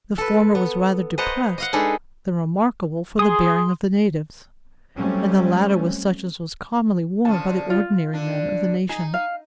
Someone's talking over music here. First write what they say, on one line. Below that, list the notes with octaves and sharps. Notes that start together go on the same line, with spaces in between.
The former was rather depressed, than remarkable for the bearing of the natives; and the latter was such as was commonly worn by the ordinary men of the nation.
A4 B4
B3
B4 C5 D#5 F#5 A5 A#5
D#5 F5 F#5
G#3 D4 D#4 G#4 A4 B4
G#4 C6 D#6
F#3 G3 A3 C4 C#4
D3 F3 C#4 A5
F4
D3 D4
D#4 G#4
F5